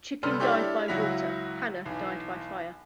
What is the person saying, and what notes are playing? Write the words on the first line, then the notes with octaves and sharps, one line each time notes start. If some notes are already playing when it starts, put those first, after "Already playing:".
Chicken died by water, Hannah died by fire.
C3 G3 B3 A4 C6 F6
D4 E4 G4 A4 C#5
C#2 F#3 E4 F#4 B6 F7
B1 E3